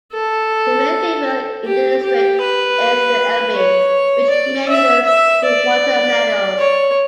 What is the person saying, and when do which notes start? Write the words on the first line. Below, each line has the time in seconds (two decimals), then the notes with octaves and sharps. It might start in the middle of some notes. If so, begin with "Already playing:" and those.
The main river in the district is the Elbe, which meanders through water meadows.
0.13 A4
1.65 G4
2.03 G4
2.41 B4
3.55 C#5
4.31 D5
4.69 E5
5.06 E5
5.45 D5
6.59 C#5